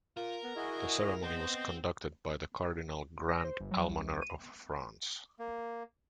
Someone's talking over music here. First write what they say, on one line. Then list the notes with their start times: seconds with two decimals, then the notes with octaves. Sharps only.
The ceremony was conducted by the Cardinal Grand Almoner of France.
0.17 F4 A#4
0.44 B3
0.56 E4 F#4 G#4 D#5
1.23 B3 C4 C5 D#5
3.29 A#6
3.44 C5
3.60 G1
3.71 F#3
3.87 C2
4.10 C2
4.21 D#7
5.39 A#3